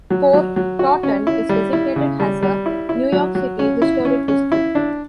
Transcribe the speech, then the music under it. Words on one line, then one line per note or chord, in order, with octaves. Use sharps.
Fort Totten is designated as a New York City Historic District.
F#3
F#3
F#3
F#4
C#4
E4
G3
E4
C#3
G3
G3
E4
E4
F#3
F#3
C#4
E4
C#4
C#4
E4
D4